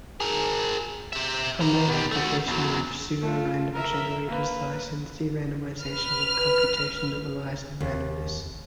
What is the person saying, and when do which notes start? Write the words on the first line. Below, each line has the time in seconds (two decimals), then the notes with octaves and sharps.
A main application of pseudorandom generators lies in the de-randomization of computation that relies on randomness.
0.20 G#4 A#4
1.13 G4 E5
1.61 B3 A#5
1.88 B2 G3
2.11 A3 F#4
2.48 E2 F#3
3.21 A3 F4
3.73 A#4 E5
4.27 A#3 B4
5.82 B4 F6
7.80 D#2